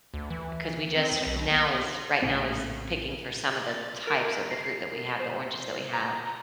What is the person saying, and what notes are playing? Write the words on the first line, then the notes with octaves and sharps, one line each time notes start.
'cause we just now is right now is picking for some of the types of the fruit that we have the oranges that we have,
D2
E3
C4
B1
B3
A#1 A2 C#3 C4
A6
A#4
C7
C5
A#5